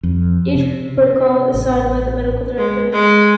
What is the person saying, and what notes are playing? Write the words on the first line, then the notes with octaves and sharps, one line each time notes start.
Each protocol is signed by the medical director.
F2
C3
C3
A1
G#3
G#3